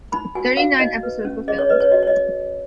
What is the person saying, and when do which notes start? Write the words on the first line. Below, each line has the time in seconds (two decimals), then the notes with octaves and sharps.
Thirty-nine episodes were filmed.
0.12 D#4 B5
0.35 F#4 G#5
0.57 F#4 F5
0.79 D#4 D#5
1.03 B4
1.25 C#4
1.48 G#4 D#5
1.59 C#5
1.69 B4 D#5
1.80 C#5
1.92 F#4 D#5
2.03 C#5
2.07 D#5